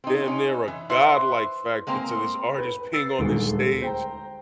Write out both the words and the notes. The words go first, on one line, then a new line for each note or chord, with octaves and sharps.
damn near a godlike factor to this artist being on this stage
C4 D#4
C#4 D#4
E3
E4 B4 C5
G#3 A#3 C4 A#5
B4 B5
E6 A6 C7
D#1 D2 D#3 G#3
C5 G5 A#5